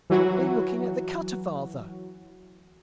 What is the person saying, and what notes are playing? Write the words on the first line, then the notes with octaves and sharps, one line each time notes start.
"Been looking at the cutter, father?"
E3 F#3 F#4